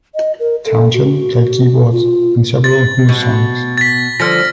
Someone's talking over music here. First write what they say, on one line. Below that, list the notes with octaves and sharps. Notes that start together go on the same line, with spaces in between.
Townshend played keyboards on several Who songs.
D#5
A#4
A4
F#4
F4
A6
B2
A6 B6
D3 F3 F6 A#6